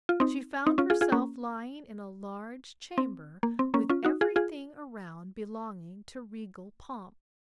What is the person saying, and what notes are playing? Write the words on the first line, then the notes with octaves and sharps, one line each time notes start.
She found herself lying in a large chamber, with everything around belonging to regal pomp.
F4
C4 D#4
C4 D#4
C#4 F4
F4 G#4
F4 G#4
A#3 C#4
C4
A#3
C4
A#3 C#4
C#4 F4
D#4 F#4
F4 G#4
F4 G#4